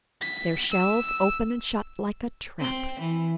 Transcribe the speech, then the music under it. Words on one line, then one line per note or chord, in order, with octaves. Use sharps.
Their shells open and shut like a trap.
B6
E6
C4
E3